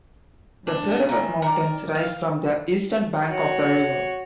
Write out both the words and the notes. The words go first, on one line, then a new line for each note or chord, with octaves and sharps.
The Cederberg mountains rise from the eastern bank of the river.
D4
D#3 E3
A#4 D5
F5
F#4 C#5